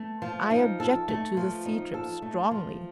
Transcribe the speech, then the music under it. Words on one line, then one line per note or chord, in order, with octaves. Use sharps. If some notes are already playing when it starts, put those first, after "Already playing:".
I objected to the sea trip strongly.
Already playing: A3
F3
D#4
A4
A3
F3
D#4
A4
A3
F3